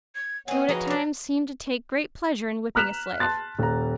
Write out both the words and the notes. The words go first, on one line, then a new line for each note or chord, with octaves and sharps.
He would at times seem to take great pleasure in whipping a slave.
G#6
B3 C4 D#4 C#5 F#5 G#5
F3 F#4 G#4 B4 C#5 D#5 A#5
F#3 C#4
A#5 F6 F#6 B6 E7 F7
A5 C6 F#6 A6
D#1 A#5